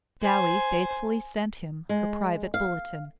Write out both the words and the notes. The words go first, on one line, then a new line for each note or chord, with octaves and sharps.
Dowie faithfully sent him her private bulletin.
C5 G#5
G#3
F5